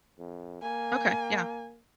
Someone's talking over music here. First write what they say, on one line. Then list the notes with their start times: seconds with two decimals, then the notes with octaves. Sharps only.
Okay. Yeah.
0.19 F2
0.62 A#3 G#5